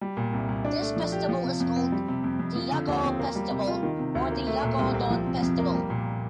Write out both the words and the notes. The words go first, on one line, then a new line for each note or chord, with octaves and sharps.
This festival is called the Yagorou Festival or the Yagorodon Festival.
G3
A#2
C2
C2
D4
A3
F3
G4
F3
C3
F2
C4
G3
C3
F2
F2
F3
D3
D#2
C4
A#3
G3
C3
F4
D#3
C3
D2
A#3
A3
A#2
C2
C4
F3
C3
F2
A#3
G3
A#2